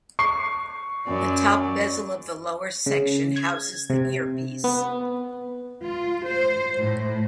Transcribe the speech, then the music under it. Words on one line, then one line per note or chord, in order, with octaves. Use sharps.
The top bezel of the lower section houses the earpiece.
C#6 C7
F#2 F#3 D5
C#3
G#6
C3
B3
F4
C5
A2